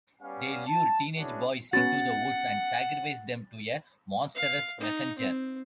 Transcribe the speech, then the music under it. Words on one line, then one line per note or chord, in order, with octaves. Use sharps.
They lure teenage boys into the woods and sacrifice them to a monstrous messenger.
G3 B3 C#4 D5 F5
A5
B3 C#4 D4 E4 F#4 G#4
B3 C#4 F#4 F#5 A6
F5
D#4
C4